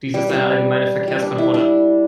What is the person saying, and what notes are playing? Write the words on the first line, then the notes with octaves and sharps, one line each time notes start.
Dies ist eine allgemeine Verkehrskontrolle.
G3
G3
G3
D4
E4
D4